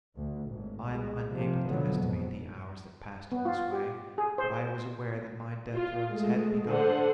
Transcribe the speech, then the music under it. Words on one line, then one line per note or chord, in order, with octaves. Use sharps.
I'm unable to estimate the hours that passed in this way. But I was aware that my death throes had begun.
D2
G#1 A2
C2 G#3
C3 F3
B2 D3 F3 F#3 G#3 B3
A1 F2 G#2 B2
B3
F4
G4
G#4
C5
F4
G#3 A3
D3 C5 F#5